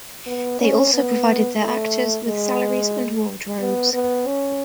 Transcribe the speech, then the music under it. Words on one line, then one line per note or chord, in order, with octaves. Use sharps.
They also provided their actors with salaries and wardrobes.
B3
C#4
B3
A3
G#3
B3
B3
C#4